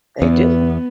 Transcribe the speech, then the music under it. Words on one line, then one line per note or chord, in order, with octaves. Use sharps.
They do.
E2 B3